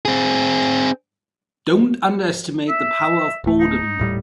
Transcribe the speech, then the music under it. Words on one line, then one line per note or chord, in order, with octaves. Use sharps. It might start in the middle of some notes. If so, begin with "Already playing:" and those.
Don't underestimate the power of boredom.
C4 G#4
E5
D1 A3
D#4
D#1 A2 G3